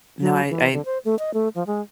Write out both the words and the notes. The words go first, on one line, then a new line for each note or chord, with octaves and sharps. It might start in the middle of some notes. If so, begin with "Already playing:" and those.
No, I I
F#3
E3
D3
C5
A3
D#5
A3
F3
G#3